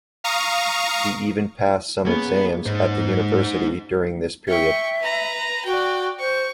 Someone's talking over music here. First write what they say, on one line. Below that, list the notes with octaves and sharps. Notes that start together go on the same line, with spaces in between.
He even passed some exams at the university during this period.
F5 A#5 C#6 D#6
A#3 B3 C#4 G#4
G#2 D#4 C5
E5 G5 C#6
B4 A#5
F#4 D5 G5
C5 C#6